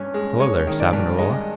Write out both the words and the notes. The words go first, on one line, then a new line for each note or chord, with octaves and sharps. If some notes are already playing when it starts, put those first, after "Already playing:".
"Hello there, Savonarola."
Already playing: G2 C#4
G#3
G#3 C#5
D#3
D5
G2
G#3 D#5